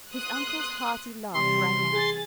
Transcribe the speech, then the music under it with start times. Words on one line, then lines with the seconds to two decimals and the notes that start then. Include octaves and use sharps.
His uncle's hearty laugh rang out.
0.13 C6 D#6 F#6
1.34 C3 E3 G3 C6
1.91 G#4 A6